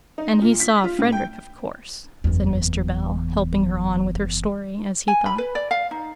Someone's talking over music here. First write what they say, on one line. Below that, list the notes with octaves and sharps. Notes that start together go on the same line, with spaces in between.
'And he saw Frederick of course,' said Mr. Bell, helping her on with her story, as he thought.
D#4
A#2
B6
F4
A2
G5
F#1 E2
G#5
B5
B4
D5
F5
D#4